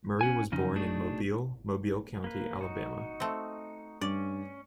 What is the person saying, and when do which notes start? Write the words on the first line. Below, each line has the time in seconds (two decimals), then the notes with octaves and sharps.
Murray was born in Mobile, Mobile County, Alabama.
0.21 C#4 F#5 G#5
0.52 F2 C#3 C#4 D#4
0.76 A3 D4 D#4 F#4 G#4
2.24 A#3 B4
2.61 D#4 F#4
3.20 A3 C4
4.01 G2 C#4 D5